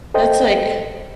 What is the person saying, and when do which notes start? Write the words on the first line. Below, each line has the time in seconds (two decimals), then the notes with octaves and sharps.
that's like
0.14 A4 C5 D#5 G5